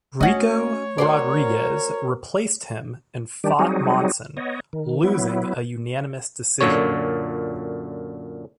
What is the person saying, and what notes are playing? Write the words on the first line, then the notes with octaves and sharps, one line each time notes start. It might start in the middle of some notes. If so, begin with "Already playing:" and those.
Ricco Rodriguez replaced him and fought Monson, losing a unanimous decision.
A3 C#4 F#4 C#5 D#5
F#4 A#4 C5 D5
D#3 G3 D4 G4
F#3 G3 C4 D#4 F#4 G#4
B3 C#5 D#5
D#3
F#3 B3 E4
F#2 A#2 D3 C#5